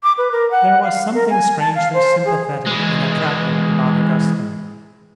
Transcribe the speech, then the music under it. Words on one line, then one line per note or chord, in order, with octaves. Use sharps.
There was something strangely sympathetic and attractive about Augustine.
D6
B4
A#4
F#5
F5
A#4
G#5
A5
F5
C5
G#4
E3 G#3